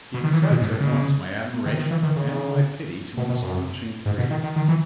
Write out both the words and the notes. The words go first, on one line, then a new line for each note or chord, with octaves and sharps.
He excites at once my admiration and my pity to an astonishing degree.
B2
D#3
E3
D#3
B2
G#2
A2
C#3
D#3
D#3
E3
D#3
C#3
C#3
B2
B2
F#2
G#2
B2
D#3
D#3
D#3
E3